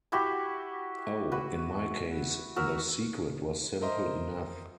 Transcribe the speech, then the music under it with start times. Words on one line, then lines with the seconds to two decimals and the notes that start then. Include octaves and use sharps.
Oh, in my case the secret was simple enough.
0.12 E4 F#4 G4
1.32 F#4 B4
2.56 F#4 A#4 E5
3.81 A#4 C5 D#5 E5 C6